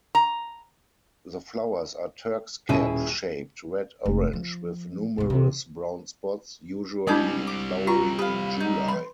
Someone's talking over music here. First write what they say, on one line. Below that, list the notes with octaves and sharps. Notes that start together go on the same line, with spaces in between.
The flowers are Turk's-cap shaped, red-orange, with numerous brown spots, usually flowering in July.
A#5
D#1 B2 C#4 E4 G#4 D#7
F1 G#3
F3
E1 G#2
C3 E3
G3 G#3 C4 D4 E4 G#5 D6 G6
D6
F4 A#5 C#6
G4 B4 F5
D#4
B4 B5 C6